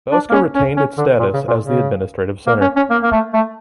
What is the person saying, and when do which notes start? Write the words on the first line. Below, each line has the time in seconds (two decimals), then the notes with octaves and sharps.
Bauska retained its status as the administrative center.
0.12 D4
0.30 A#3
0.33 C#4
0.55 C#4
0.77 C#4
0.98 D3
1.19 A#2
1.33 C#3
1.48 A#2
1.62 C#3
2.47 A#3
2.61 C#4
2.76 C#4
2.90 A#3
3.03 A#3
3.12 A3
3.34 A3